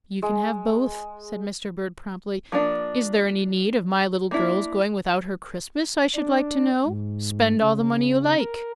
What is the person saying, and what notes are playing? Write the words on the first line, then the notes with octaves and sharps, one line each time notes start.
"You can have both," said Mr. Bird, promptly; "is there any need of my little girl's going without her Christmas, I should like to know? Spend all the money you like."
G#3
F3 A#3 D4
A#3 D4 E4
D4
G#2
C#3
A#4